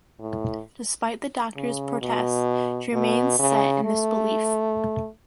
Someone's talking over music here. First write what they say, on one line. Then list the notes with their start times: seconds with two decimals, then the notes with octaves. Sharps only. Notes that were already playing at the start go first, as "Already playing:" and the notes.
Despite the Doctor's protests, she remains set in this belief.
0.19 A2
1.56 C#3
2.01 B2
2.93 B2
3.39 C#3
3.84 A3